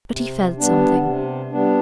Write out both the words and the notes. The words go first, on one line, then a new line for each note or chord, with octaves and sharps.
But he felt something.
C3
G3 B3 D4
C3
G3 B3 D4